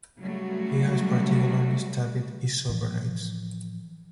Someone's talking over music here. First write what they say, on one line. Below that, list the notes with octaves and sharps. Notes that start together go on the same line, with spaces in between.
He has particularly studied isoprenoids.
C#3 F#3 G3 A3 F#4
A2 E3 F3